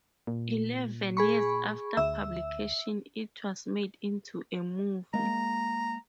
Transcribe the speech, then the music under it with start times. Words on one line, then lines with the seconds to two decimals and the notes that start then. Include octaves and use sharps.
Eleven years after publication it was made into a movie.
0.27 A#2
1.17 G#4 B5 C#6
1.97 D2 E5 E6
5.14 G#3 A#3 A#5